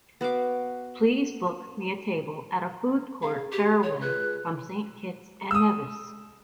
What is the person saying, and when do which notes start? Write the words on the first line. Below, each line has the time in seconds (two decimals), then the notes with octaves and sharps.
Please book me a table at a food court faraway from Saint Kitts and Nevis.
0.21 B3 F#4 F5 D6
3.22 G#4 F5
3.52 G4
3.83 C#5
4.01 F4 G#4 B4 F#6
5.51 D#6 E6